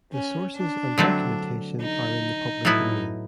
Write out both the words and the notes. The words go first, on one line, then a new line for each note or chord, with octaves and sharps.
The sources and documentation are in the public domain.
C#4
D4
D3 F#3 A3 C4
D#4
A2 F#3 B3 E4